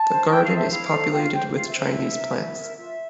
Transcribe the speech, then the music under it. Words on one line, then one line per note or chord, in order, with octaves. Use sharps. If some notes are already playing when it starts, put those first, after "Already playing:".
The garden is populated with Chinese plants.
Already playing: A5
C5
E4 G5
F5
A4 C5
E5
E4 F5
A4 C5
F4 G5
F5
C5 G5
F4 F5
E5
C5
E5
E4
A#4
E4 E5
A#4
F4 E5